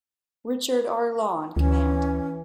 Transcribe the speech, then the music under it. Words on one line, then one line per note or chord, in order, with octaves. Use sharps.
Richard R. Law in command.
D2 E3 C#4